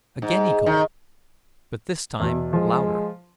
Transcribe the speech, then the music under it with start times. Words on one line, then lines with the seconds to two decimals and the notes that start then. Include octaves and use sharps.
Again he called, but this time louder.
0.22 G#2
0.66 D#3
2.20 E2 B2
2.53 F3 G#3